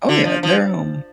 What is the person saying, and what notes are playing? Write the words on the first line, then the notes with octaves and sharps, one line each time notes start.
Oh, yeah, they're, um,
D3
F3
F3